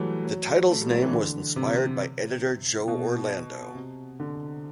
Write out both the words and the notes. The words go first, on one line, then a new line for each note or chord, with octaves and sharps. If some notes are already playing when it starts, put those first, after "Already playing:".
The title's name was inspired by editor Joe Orlando.
Already playing: E3 F#3 G3 A3
F#3
A3
G3
F#3
E3
D3
C3
B2
C3
D3